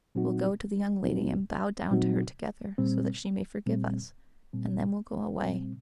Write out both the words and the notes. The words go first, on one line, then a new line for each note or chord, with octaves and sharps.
We'll go to the young lady and bow down to her together, so that she may forgive us, and then we'll go away.
A#2 F#3 C4 D#4 F#4
A#2 F#3 C4 D#4 F#4
A#2 F#3 C4 D#4 F#4
A#2 G3 C4
A#2 G3 C4
A#2 G3 C4
A#2 G3 C4